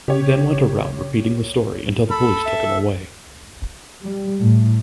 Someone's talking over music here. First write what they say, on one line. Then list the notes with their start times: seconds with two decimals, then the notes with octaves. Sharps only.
He then went around repeating the story until the police took him away.
0.08 C#3 G4 C#5
2.11 A4 B5
2.46 E5
4.02 G3
4.40 A2